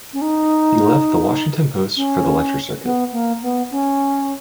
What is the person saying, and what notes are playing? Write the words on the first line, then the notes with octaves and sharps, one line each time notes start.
He left "The Washington Post" for the lecture circuit.
C#4
D#4
C#4
B3
A#3
B3
C#4